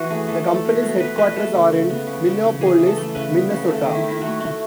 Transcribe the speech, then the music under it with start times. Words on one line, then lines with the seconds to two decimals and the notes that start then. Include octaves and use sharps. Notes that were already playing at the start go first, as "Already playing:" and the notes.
The company's headquarters are in Minneapolis, Minnesota.
Already playing: E3 F#4
0.10 A3 G#4
0.28 E3 A4
0.47 A3 A4
0.65 B2
0.83 B2
1.00 B2 B4
1.18 A3 B4
1.36 A3 A4
1.54 C#3
1.72 C#3
1.90 B3
2.07 C#3
2.25 C#3
2.44 C#3
2.61 E3 G#4
2.79 E3
2.87 A4
2.97 A3
3.15 C#3 B4
3.33 B3
3.50 C#3
3.68 A3 A4
3.86 D#3
3.95 E4
4.04 D#3
4.11 E4
4.21 A3 F#4
4.40 A3